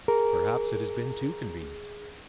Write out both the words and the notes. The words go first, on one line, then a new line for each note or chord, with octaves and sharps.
Perhaps it has been too convenient.
G#4 A#4